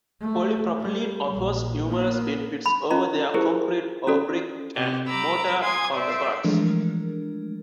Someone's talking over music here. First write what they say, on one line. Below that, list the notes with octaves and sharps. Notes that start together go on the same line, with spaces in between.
Polypropylene offers numerous benefits over their concrete or brick and mortar counterparts.
A3
G3
A#1
A#3 B3
B5
C#4 F4 D#5 A#5
E4 G4 G#4 A#4 C5
C#4 F#4 A4 D5
C3 G4
A#5 B5 D6 E6
G#5 C6 D#6 G#6
C5 D5 E5
E3 F3 G#3 A3 D4 A#4